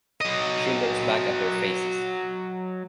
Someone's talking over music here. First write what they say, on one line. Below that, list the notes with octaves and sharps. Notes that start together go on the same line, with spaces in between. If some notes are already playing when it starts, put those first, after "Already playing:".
She looks back at their faces.
F#3 D#5